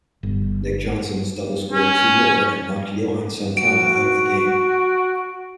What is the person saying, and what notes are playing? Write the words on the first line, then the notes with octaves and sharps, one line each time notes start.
Nick Johnson's double scored two more and knocked Johan Santana out of the game.
G1
C#4
F#4 D7